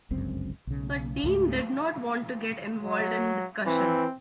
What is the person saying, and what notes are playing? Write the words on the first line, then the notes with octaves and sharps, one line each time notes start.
But Dean did not want to get involved in discussion.
G1 C#2 F#2 C4
B1 C#3
C#2 G#2 A3
F#3
E3 C4